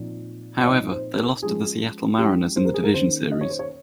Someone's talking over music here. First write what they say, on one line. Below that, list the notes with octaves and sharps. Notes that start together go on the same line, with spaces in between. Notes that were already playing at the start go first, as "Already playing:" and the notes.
However, they lost to the Seattle Mariners in the Division Series.
Already playing: A#2 F3 C4 D#4
C#5
A#2 F3 C4 D#4 D#5
C5
A#4
F3 G#3 C#4 G#4
F3 G#3 C#4 G4
C5
A#4
G#4
A#4
D#3 A#3 C#4 C5
D#5
C#5
C5
C#5